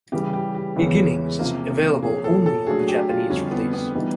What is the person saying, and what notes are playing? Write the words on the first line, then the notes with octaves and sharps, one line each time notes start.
"Beginnings" is available only on the Japanese release.
C#3 E3 G3 G4
G4
G4
E2 C#3 E3 G#3 C#4
C3 F3 A#3
A#2 F3 A#3 C#4 G#4
A4
A4
F#3 A3 D4 F#4 G#4
G4
F4
F2 D3 G3 C#4
B3
B3
E3 G3 A#3 B3 D#4